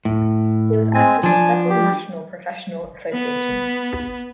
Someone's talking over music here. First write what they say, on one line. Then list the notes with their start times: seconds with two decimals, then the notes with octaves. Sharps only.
He was active in several national professional associations.
0.05 A2
0.94 G#3 C4 G#5
1.23 F3 D4 G#5 A5
1.69 G4
3.13 B3